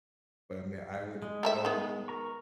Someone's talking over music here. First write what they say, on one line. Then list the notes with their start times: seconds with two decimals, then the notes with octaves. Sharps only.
But, I mean, I would l I would
1.22 G#3
1.43 A3 A#4 E5
1.65 D#3 B3
2.08 A#4 A#5 C#6